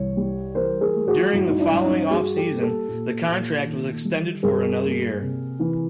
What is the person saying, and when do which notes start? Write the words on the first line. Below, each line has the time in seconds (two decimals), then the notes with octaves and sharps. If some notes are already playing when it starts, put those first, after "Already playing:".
During the following off-season, the contract was extended for another year.
Already playing: C2 E3 C#5
0.17 G3
0.55 E3 A#4 C5
0.81 G#4 A#4
0.95 A3
1.08 F#4 G#4
1.33 G2 E4 F#4
1.47 D#4
1.59 D4 E4
1.72 G2
1.85 C#4 D#4
2.10 G3 F#4 G#4
2.37 G4 A4
2.50 A#3
2.58 A#4
2.63 G4 A4
2.88 A#2
3.27 A#2
3.66 D#3
4.05 G3
4.43 G2 G#4 A#4
4.83 A#3
5.21 C3
5.60 E3